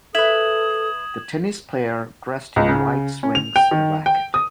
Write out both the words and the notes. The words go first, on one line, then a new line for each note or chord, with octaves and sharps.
The tennis player dressed in white swings the racket.
A4 B4 E5 D#6 G#6 E7 F#7
C#2
C#3
C#4
F7
G5
D#3
G5
D#6